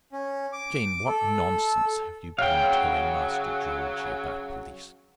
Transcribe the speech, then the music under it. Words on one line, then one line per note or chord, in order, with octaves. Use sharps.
"Jane, what nonsense have you been telling Master Georgie about policemen?"
C#4
D6
A4
C#3 F#3 F5 G5